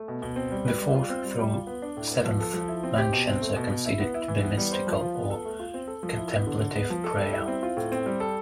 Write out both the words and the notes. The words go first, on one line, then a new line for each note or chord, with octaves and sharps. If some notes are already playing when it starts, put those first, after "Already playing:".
The fourth through seventh mansions are considered to be mystical or contemplative prayer.
Already playing: A3
B2
B2
C4
G3
B4
G3
F4
C4
G3
G3
F4
B3
D4
A2
B3
F3
A4
F3
E4
C4
G4
B2
C4
A3
B2
B2
E4
B3
E4
E3
B3
G3
C5
F3
F4
B3
A4
A3
F4
C4
A4
F3
E4
B3
D3
D3
B3
F3
A4
G3
E4
C4
F4
A2
C4
G3
A4